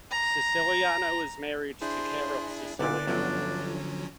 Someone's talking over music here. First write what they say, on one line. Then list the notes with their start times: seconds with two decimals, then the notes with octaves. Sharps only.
Siciliano is married to Carol Siciliano.
0.11 A#5
1.82 D4 E4 G#4 C5
2.79 B1 A#2 D3 B3 D4 E4 D5 D6
3.07 G1 D3 F3 F#3 B3 C#4